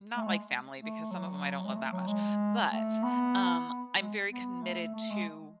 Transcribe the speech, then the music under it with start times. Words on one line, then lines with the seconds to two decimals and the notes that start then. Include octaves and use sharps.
not like family because some of 'em I don't love that much. But, um, I'm very committed to
0.16 A3
0.27 G#3
0.80 A3
1.11 F#3
1.65 G#3
1.76 A3
1.92 F#3
2.08 G#3
2.71 A3
3.03 B3
3.68 B3
3.99 G#3
4.31 B3
4.62 A3
4.95 A3
5.11 G#3